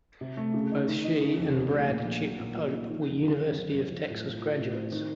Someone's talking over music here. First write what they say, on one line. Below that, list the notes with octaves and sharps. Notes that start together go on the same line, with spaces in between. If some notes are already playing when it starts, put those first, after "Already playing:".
Both she and Brad "Chip" Pope were University of Texas graduates.
C3
A3
C#3
D#4
D#3
D#4
C#3
F2
D#2
A3
A#2
A#1
F#3
A#2
F3
D#4
D#3
F2
C#3
C4
F#2
F#1
F3
A2
F3
F4
A2
C4
D#3